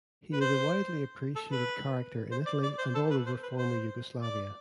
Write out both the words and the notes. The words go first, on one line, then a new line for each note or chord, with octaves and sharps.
He is a widely appreciated character in Italy and all over former Yugoslavia.
B4
C5
A4
B4
C5
D5
D5
C5
A4
B4
C5
B4
C5
D5